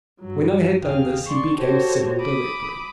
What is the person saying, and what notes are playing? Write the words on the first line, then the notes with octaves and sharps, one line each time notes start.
When I had done this he became civil directly.
G2 F#3
D#2 C3 G#4 F5 G5
D5 C6 C#6
F#4 G4 A4 C5 C#5
B5 D6 D#6